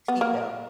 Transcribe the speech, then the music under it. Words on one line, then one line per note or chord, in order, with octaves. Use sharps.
Seat belt.
B3
A#3